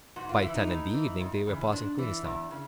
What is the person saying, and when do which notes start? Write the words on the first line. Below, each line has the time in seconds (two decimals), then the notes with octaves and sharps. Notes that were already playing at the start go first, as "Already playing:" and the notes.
By ten in the evening they were passing Queenstown.
0.16 G#2 F#4
0.29 F4
0.42 E3 E4
0.55 D#4
0.67 A2
0.94 E3
1.20 F2
1.46 C#3 E3
1.72 G#2 D4
1.98 E3
2.24 E2
2.51 C#3